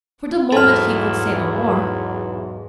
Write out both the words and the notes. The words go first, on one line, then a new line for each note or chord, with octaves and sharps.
For the moment he could say no more.
B1 E2 G#2 E4 A4 F6